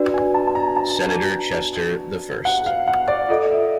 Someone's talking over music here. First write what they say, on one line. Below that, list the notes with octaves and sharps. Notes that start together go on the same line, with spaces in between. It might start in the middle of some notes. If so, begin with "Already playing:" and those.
Senator Chester the First.
Already playing: D4 F#4 B4 D5
G#5
A5
A5
A#5
A5
F#5
F5
F#5
D5
F4 A4 D5 D#5
E5